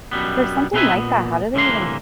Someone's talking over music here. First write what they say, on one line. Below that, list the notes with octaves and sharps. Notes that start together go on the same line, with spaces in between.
for something like that, how do they even
F#2 B2 G3 B3
B2 C4 D#4 B4 E5 G#5
A#2 B3
C2 A2 D3 E3 A#3 C6